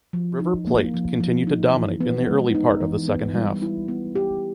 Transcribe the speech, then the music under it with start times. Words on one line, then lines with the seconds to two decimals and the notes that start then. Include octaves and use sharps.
River Plate continued to dominate in the early part of the second half.
0.13 F3
0.40 D#4
0.67 A#3
0.94 F3
1.20 F3
1.47 D#4
1.74 E3
2.01 B3
2.28 G#3
2.55 D#4
2.81 E3
3.08 B3
3.34 G3
3.62 E4
3.88 B3
4.15 G4